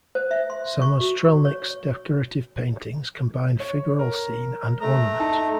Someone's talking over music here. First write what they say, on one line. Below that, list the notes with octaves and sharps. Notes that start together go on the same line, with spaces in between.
Samostrzelnik's decorative paintings combine figural scene and ornament.
C5
E5
C6
C#6
F#4
C#5
C#5
A#4
A3 A#5
D#4 A5